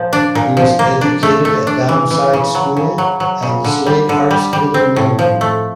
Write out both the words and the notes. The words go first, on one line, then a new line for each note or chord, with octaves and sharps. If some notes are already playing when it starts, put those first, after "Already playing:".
He was educated at Downside School, and the Slade Art School in London.
Already playing: A#2 F3
D4
A#2
F3
A#3
D4
A3
A3
D4
E3
E3
C#3
F#3
C#3
F#3
F#3
C#3
D3
G3
D3
G3
G3
C4
A2
F3
A3